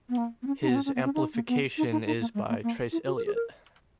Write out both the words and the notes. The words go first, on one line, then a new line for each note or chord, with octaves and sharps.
His amplification is by Trace Elliot.
B3
A#3
B3
C#4
D#4
B3
C#4
C#4
B3
C#4
D#4
A#3
B3
D#4
D#4
D#4
A#3
G#3
A#3
A#3
E4
F#4
A#4
G#4
A#4